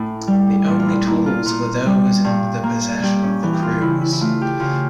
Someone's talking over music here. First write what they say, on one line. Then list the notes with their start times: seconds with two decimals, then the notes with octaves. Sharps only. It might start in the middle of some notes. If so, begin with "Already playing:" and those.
The only tools were those in the possession of the crews.
Already playing: A2 C#4
0.27 G3
0.67 A#2 D4
0.79 F4
0.86 E4
1.07 A#3 E4
1.26 F4
1.45 A#2 F4
1.86 G3
2.24 G2
2.63 A#3
3.03 G2 G4
3.22 C#4
3.42 E3 D4
3.53 G4
3.63 F4
3.81 C#3 E4
4.02 E4
4.12 E4
4.21 A3 F4
4.42 G4
4.60 C#3 F4